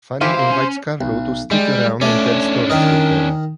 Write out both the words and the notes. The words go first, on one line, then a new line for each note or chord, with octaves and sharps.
Fanny invites Carlo to stick around and tell stories with them.
D3 E3 E4 F4 G4 C5
A#4 F5
C#4
B1
G3 G#3
A3 C#4 D4 D5
D#3 A#4 D#5